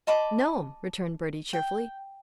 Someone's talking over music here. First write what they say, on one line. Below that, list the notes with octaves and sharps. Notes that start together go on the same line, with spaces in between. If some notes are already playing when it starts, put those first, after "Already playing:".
"No'm," returned Bertie cheerfully.
D#5 A5 B5 D6
G5